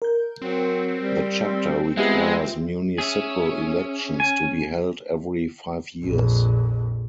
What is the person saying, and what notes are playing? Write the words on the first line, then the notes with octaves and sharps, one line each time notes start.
The chapter requires municipal elections to be held every five years.
A#4 G6
F#3 C4
G3
G#3 B3 F4 G4 E5
C#4 G#4 E5
G#5
A#1 F2